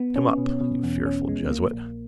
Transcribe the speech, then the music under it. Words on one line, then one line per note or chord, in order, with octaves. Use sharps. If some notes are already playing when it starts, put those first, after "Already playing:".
Come up, you fearful jesuit!
Already playing: B3
C#4
B2
B2
E2
C#4
G#3
A#3
A#1